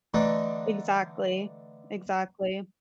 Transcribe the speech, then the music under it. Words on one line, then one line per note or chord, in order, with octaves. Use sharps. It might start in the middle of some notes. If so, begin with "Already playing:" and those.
exactly, exactly.
D3 E3 A3 D4 D#4